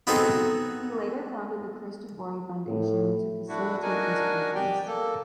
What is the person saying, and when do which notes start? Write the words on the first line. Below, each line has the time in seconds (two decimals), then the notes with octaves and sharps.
He later founded the Cristofori Foundation to facilitate this purpose.
0.07 B3 C4 D#4 F#4 G#4 A4
2.66 A2
3.48 A3 D4 E4 F#4
3.82 D4 D#4 F#4 A#4 G#5
4.55 G4 D5 G5
4.87 A#3 A4